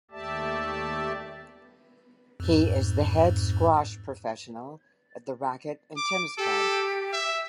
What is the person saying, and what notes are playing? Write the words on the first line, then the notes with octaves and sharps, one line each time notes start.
He is the head squash professional at the Racquet and Tennis Club.
D#2 A3 G4 D5 E5 A5
F2 G#2
D6
G4 A4
E5